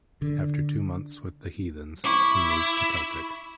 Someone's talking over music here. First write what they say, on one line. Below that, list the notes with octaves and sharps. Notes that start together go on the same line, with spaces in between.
After two months with the Heathens, he moved to Celtic.
D3
E4 C#6 D6